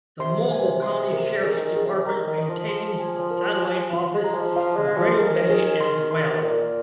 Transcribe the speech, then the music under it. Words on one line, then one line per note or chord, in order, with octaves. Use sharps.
The Mobile County Sheriff's Department maintains a satellite office in Grand Bay as well.
C3 C6
G#5
C6
A#4
D#3 G#4
D#3
G#4
C3
D#3 A#5
D#3
D#5
F3
C6
G#5
A#4
G#5
F4
G#3
A#5
F3
F3 F5
G#3
F5
F3
D#3 G#4
G#4
C6
C6
A#2 A#4